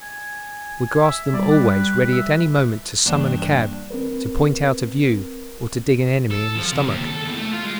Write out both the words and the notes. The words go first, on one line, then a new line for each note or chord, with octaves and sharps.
We grasp them always, ready at any moment to summon a cab, to point out a view, or to dig an enemy in the stomach.
G#5
E5
G3 D5
B4
E5
G2 E3 A#3 D4 D5
C4 A#4 B4
A4
F3
C3
D#2
A4
E2
A3
F4
G#3